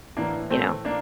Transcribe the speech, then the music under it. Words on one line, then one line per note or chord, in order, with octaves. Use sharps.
you know.
A2 E3 A#3 D4
A3 C4
A#3 D4